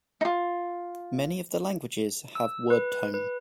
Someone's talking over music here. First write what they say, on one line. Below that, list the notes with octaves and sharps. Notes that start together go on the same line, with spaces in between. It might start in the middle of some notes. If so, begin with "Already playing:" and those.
Many of the languages have word tone.
D#4 F4
E6
B4
B4